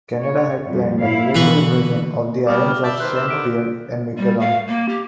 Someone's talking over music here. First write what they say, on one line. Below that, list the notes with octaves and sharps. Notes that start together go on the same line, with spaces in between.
Canada had planned a military invasion of the islands of Saint-Pierre and Miquelon.
C#5
F2 G3
G#2 E4 F5
B2 D3 E3 B4 C#6
B2 G3 D6 D#6 F6
F6
D5 E5 A5 E6 G6
D#3 B4 C5 F#6
E7
D3 D#3 B6 D7
G3
F5
A#3
G4